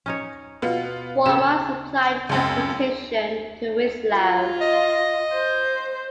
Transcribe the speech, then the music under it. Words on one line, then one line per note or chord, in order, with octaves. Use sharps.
Walmart supplied the transportation to Winslow.
C#4 D#4 C#5
B2 B3 F4
C#3 G4 A4 E7
C#2 F#2 G#3 C4
F4
D#5
C5